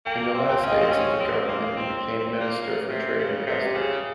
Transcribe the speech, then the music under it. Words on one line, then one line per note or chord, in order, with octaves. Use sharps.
In the last days of the government he became Minister for Trade and Customs.
A#3 G5
C4
G5
F5
C#4 D#5
C4 F5
C#4 C#5
C4
A#3
C4
C4
C4
A#3
C#3
C3
C#3
C3
G4
C#3 G#4